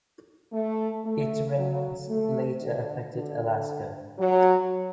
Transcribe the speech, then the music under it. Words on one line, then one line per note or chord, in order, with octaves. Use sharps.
Its remnants later affected Alaska.
A3
A3
F#3
A3
D3
D3
F#3